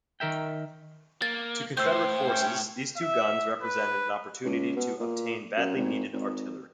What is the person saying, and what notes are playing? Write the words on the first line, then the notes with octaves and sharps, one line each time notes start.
To Confederate forces, these two guns represented an opportunity to obtain badly needed artillery.
D#3 A#4 E5 G5
A#3 A6
A2 C5 E6 G6
C#4 G5
E5
B4
C#2
B2
A#2
F#2
G#1
G#1